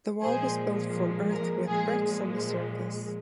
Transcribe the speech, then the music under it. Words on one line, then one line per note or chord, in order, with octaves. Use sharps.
The wall was built from earth with bricks on the surface.
A#2 F3 G#3 G#4 C5
A#4
A#2 F3 G#3 G#4